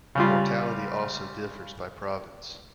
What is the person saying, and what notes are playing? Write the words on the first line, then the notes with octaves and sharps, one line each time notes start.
Mortality also differs by province.
C#3 G3 F4